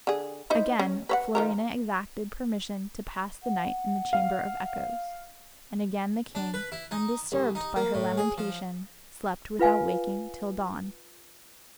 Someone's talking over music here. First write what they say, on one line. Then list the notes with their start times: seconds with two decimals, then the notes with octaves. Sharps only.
Again Florina exacted permission to pass the night in the Chamber of Echoes; and again the king, undisturbed by her lamentation, slept without waking till dawn.
0.07 D3 G#4
0.50 D#4 E4 C5
0.79 C#4
1.09 B4 C#5 F#5
1.35 D#3 F3 A#4
3.43 F#5
4.13 F5
6.35 D4
6.54 B4
6.72 E4
6.91 D#4
7.32 C2
7.55 D#4
7.76 A#3
7.94 A2
8.17 G#4
8.38 F3
9.59 F4 B4 F5 G#5